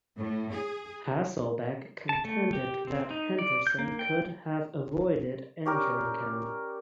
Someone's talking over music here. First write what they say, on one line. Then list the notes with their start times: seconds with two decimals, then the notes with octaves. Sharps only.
Hasselbeck contended that Henderson could have avoided injuring him.
0.18 A2
0.53 G#4
2.09 A5
2.25 A3
2.53 G4
2.87 C4
3.11 D#4
3.39 D5
3.67 G6
3.79 A#3
3.99 G5
5.65 C#4 G4 A#4 D5